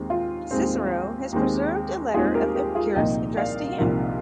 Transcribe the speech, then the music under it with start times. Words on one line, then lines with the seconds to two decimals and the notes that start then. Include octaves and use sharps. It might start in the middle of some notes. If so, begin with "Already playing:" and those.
Cicero has preserved a letter of Epicurus addressed to him.
Already playing: D#2 D#3 G#3 C4
0.10 F4
0.51 D#2 D#3 G#3 C4
1.32 D#2 D#3 G#3 C4
2.14 D#2 D#3 G#3 C4 F4 G#4
2.35 G4 A#4
2.55 G4 A#4
2.75 F4 G#4
2.96 C2 A#2 F3 A#3 D#4 D#5 G5
3.37 D5 F5
3.78 C2 A#2 F3 A#3 D#4